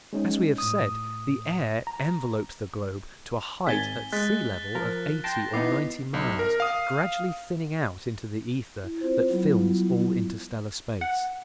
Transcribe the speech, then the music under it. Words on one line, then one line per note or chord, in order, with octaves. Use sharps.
As we have said, the air envelopes the globe to a height at sea-level of eighty or ninety miles, gradually thinning out into the ether that fills all interstellar space.
G#3 C#4 D#4
A2 D#6
A#5
G#1 G#5 A6 B6 G7
G#3 F#6 A6 B6
F3 A#4
G5 A5 C6 A#6
E3 B3 D#4 D6 C7
B1
A#4
F5 D#6
E4
C4 F4 C5
F#3 G3 B3 E4 F4
F#5